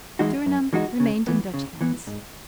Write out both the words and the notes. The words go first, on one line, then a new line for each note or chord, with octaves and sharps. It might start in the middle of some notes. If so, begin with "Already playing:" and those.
Surinam remained in Dutch hands.
E3 G#3 D#4 F#4
F#2
E3 G#3 D#4 F#4
C#3
E3 B3
C#3
E3 B3
G#2